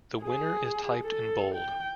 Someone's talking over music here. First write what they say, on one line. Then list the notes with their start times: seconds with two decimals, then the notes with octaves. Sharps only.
The Winner is typed in bold.
0.23 G#4
1.05 A4
1.55 G5